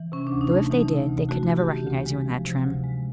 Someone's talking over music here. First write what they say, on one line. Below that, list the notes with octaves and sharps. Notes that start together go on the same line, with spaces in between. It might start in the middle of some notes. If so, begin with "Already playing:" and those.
Though if they did, they could never recognize you in that trim.
Already playing: E3
C3 C#4
D4
D2
D#4
A3
E3 D#4
C3
D2
A3 F#4
E3
G4
C3
D2
G#3
F3
C3
D2
G#3